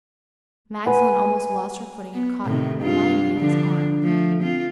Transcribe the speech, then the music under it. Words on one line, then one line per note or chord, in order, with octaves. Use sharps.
Magdalen almost lost her footing and caught blindly at his arm.
B4 F#5 G#5
B3
A2 C3 D#3
G2 F4
D3 F3 D4
F3 A3
C4 F4